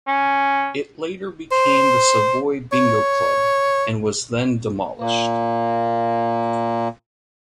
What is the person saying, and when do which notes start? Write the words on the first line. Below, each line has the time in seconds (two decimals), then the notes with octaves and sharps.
It later became the Savoy Bingo Club and was then demolished.
0.08 C#4
1.52 C5
2.72 C#5
4.99 A#2 A#3